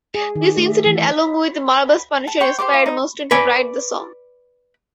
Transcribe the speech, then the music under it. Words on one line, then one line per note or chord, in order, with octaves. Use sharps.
This incident, along with Marvel's Punisher, inspired Mustaine to write the song.
G#4
D#3
A3
E3
A5
C5 C#5 G5 C#6
G4 C5 D5 D6
F4
D#4 D#6
B4 D5 G#5